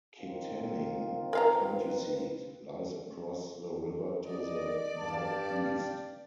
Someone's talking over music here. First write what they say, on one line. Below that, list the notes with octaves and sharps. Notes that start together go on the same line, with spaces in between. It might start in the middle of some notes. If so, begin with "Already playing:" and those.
Kittanning, the county seat, lies across the river to the northeast.
D#3 C4 F4
A#4 B4 F5 A#5
D5 D#5
G2 G4 F5 A5